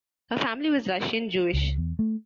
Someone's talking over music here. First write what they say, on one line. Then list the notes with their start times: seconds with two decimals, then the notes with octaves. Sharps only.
Her family was Russian Jewish.
1.53 C#2
1.78 E2
1.99 A3